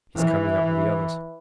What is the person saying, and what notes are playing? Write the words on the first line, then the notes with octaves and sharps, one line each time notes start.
He is coming up with the others.
E3